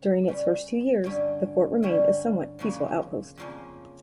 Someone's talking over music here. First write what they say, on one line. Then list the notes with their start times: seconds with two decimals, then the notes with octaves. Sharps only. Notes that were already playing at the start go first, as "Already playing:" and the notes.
During its first two years, the fort remained a somewhat peaceful outpost.
Already playing: C#3
0.28 C#3 G3 C#4
1.05 G2 D3 G3 C#4
1.83 G2 D3 G3 C#4
2.59 F2 C#3 F3 A#3 C#4
3.37 F2 C#3 F3 A#3 C#4